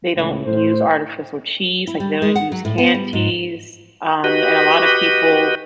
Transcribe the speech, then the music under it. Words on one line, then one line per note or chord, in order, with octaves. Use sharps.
they don't use artificial cheese, like, they don't use canned cheese, um, and a lotta people
C#2 A2
A2 C5
E4
G3
G#3
F#5
F#3
A2
B3
G3
G#2
F#4 G4 B4 D#5